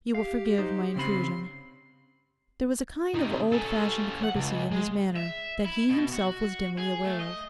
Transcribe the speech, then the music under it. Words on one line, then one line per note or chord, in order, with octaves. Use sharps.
You will forgive my intrusion?' There was a kind of old-fashioned courtesy in his manner that he himself was dimly aware of.
G4 F5
D#4 C5
C#3 C4 B5 C6
C3 D#3
C#4 A4
F#5
C#2
G#3
E5
E4
B2
F#4
G#4
A3
D#5